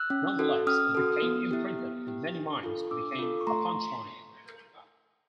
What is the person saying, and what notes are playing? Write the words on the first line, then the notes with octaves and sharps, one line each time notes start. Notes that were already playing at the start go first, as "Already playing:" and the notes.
Nonetheless, it became imprinted in many minds and became a punch line.
Already playing: E6 F#6
C#4
F#4 A4
C#4 D#6 F6
F#4 A4
B3
E4 G4
B3
E4 G4
D4
F4 A4
D4 D6 E6
F4 A4
C#6
A3 A#5 C6